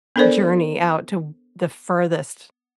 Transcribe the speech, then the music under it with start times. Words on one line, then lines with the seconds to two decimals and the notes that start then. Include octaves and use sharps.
journey out to the furthest
0.16 B3 D4 A4 A#4 C5 D5